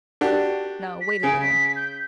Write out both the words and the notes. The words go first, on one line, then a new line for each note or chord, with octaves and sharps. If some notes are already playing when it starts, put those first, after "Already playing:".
No, wait a little.
D4 F#4 G4
B6
C#3 G#4 D7
B6
G6